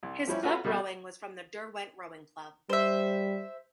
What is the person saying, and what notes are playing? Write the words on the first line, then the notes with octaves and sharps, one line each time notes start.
His club rowing was from the Derwent Rowing Club.
C2
F3 G3 C#4 E4
F4 F#4 A4 B4 C#5
B2 G3 A3
G3 C5 E5